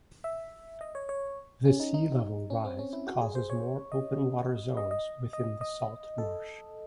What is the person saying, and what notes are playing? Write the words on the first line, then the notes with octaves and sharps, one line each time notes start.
The sea level rise causes more open water zones within the salt marsh.
E5
D#5
C#5
C#5
C#4
D#4
D#4
C#4
C4
C#4
E4
F#4
G#4
C5
C#5
D#5
D#5
D#5
D#5
D#5
A4